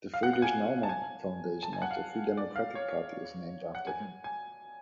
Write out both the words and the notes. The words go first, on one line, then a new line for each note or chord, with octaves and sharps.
The Friedrich Naumann Foundation of the Free Democratic Party is named after him.
F5
F#5
F#5
G#5
A5
G#5
A5
G#5
F#5
F5
D5
F5
C#5
F#5
G#5
G#5